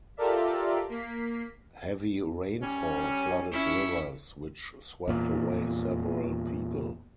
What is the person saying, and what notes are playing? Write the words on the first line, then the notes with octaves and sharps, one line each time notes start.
Heavy rainfall flooded rivers, which swept away several people.
F4 G4 A4 A#4 D5 E5
A#3 B6 C7
G3 C#4
C#4 E4 C#5
E2 A#2